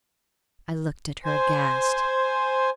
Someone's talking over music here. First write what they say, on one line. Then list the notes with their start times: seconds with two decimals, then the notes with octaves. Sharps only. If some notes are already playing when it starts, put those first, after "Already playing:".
I looked at her, aghast.
1.25 C5 G#5